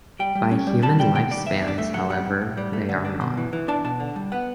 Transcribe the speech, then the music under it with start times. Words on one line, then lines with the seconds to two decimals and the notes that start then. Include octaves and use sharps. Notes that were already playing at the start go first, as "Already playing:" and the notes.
By human lifespans, however, they are not.
0.19 G3 G5
0.35 G3
0.51 C#4
0.67 G3
0.82 G3 A5
0.99 G3 G5
1.15 B2 G5
1.30 G3 D5
1.47 E2 E5
1.58 D4 E5
1.68 D5
1.78 A3 E5
1.94 F#3 F#5
2.10 G3 F#5
2.26 G2
2.41 A2
2.57 G3
2.73 A3
2.89 D3
3.05 D4
3.21 B2
3.37 E3
3.53 E3
3.68 D4 A5
3.84 B2 A5
4.00 D3
4.16 G3
4.32 B3 F#5